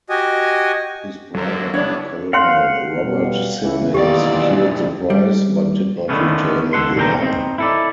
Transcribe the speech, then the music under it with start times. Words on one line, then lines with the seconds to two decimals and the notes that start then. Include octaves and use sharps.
His brother, Colonel Robert Sidney secured the prize, but did not retain it long.
0.09 F#4 G4 D#5 G#5
1.35 F#2 D3 F#3 A#3
1.74 G3 B3 D4 E4 C#5 D5
2.33 C#5 F5 F#5 C6
3.03 B2 G3 B3
3.61 C#2 E3
3.94 B1 E2 D#3 A#3 G4 D5
5.10 G3
6.09 D3 D#3 F#3 A3 B3 C#4
6.73 C#2 A4 F#5 C6
6.96 B1 D3 C#4 D#4 G5 A#5
7.22 C4 D#4
7.58 E4 A4 D5